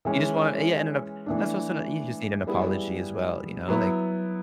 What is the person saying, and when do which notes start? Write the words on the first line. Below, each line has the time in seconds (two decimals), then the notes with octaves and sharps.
you just wanna Yeah, and then o that's also n you just need an apology as well, you know, like,
0.05 E3 G#3 C#4
1.26 E3 A3 D4
2.47 G3 B3 E4 G#4
3.68 F#3 B3 E4